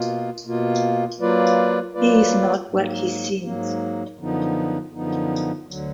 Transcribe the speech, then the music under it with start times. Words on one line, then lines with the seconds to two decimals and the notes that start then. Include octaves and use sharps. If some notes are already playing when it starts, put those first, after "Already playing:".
He is not what he seems.
Already playing: B2 A#3 F4
0.45 B2 A#3 F4
1.20 F#3 A#3 F4 B4 D5
1.94 F#3 A#3 F4 B4 D5
2.68 G#2 F#3 A#3
3.43 G#2 F#3 A#3
4.19 F#2 D3 F3 B3 D#4
4.92 F#2 D3 F3 B3 D#4
5.67 D2 D3 F#3